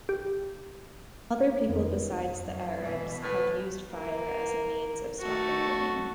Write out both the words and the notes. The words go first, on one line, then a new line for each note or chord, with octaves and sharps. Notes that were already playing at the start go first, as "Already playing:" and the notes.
Other people besides the Arabs have used fire as a means of stopping rain.
G4
F2 D#3 B3 A#4
F#2
B2 E3
A2 B4
A#3
A3 F#4